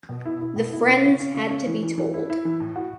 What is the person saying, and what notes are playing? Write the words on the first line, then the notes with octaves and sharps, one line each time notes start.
The friends had to be told.
B2
E4
E4
B2
E4
C#4
C#3
C#4
C#3
C#4
E3
E3
E3
E4
E4
E3
A2
F#4